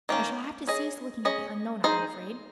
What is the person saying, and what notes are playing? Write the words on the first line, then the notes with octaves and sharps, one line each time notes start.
I shall have to cease looking at the Unknown, I am afraid.
D#3 A#3 C#4
C#4 G#4 D#5
C#4 G#4 D#5
D#4 G#4 C5